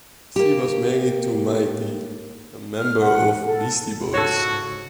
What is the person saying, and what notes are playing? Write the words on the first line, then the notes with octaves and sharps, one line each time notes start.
She was married to Mike D, a member of Beastie Boys.
A#3 G4
F6
F#5
A4
G#2 C#3 F#4 A4 C#5